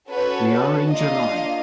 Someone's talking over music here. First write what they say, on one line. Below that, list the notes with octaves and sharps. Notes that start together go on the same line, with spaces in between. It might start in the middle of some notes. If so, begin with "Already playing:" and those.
We are in July.
C#4 F#4 A4 B4 C#5
B4 C#5
A#3 D4 F4 D#5 F5